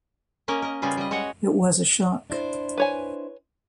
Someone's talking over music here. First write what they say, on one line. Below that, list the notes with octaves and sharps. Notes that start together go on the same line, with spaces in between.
It was a shock.
A#3 C#4 A#4 D#5
A#4 D#5
C#3 G3 F4 G#4 B4
G3 D#5
G#3 F#4 C#5 D#5 F#5
D4 E4 C5
B4 C#5 G#5